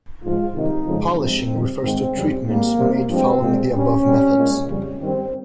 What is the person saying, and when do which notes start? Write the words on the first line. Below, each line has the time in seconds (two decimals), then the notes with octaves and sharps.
Polishing refers to treatments made following the above methods.
0.23 G#2 F3 G#3 F4
0.54 C3 D#3 G3 D#4
0.86 F2 C#3 F3 G#3
1.18 G2 F3 G#3 C4
1.50 F2 D#3 G3
1.82 G#2 D#3 G#3 C4
2.13 F2 C#3 G3
2.45 G#2 G3 A#3
2.77 C3 G3
3.09 G2 F3 G#3 C4
3.40 A#2 G#3
3.72 G2 G3 C#4
4.04 C3 G3
4.36 A#2 G#3
4.68 F2 C#3 G3
4.99 G2 D#3 G3 C4